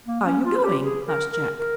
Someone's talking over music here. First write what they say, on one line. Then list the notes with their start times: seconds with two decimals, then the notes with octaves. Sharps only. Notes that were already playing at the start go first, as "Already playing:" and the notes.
"Are you going?" asked Jack.
0.06 A#3
0.25 C#4
0.45 F4
0.63 G4
0.83 G#4
1.07 A#4
1.32 A#4
1.59 A#4